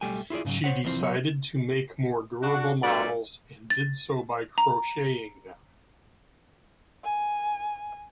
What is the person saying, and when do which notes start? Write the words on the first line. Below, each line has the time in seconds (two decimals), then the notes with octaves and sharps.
She decided to make more durable models, and did so by crocheting them.
0.01 B1 G3 A3 G5 G#5
0.30 E4 F4 G#4 D5
0.45 G#2 C#3 F3 F#3
0.64 C5 C#5 F#5
0.84 C2 E3 F3 C4 C5
1.01 F#3 B3 C#5
2.42 D4 F#4
2.83 G2 B2 A3 D5 E5 F5
3.70 A6
4.58 A#5
7.03 G#5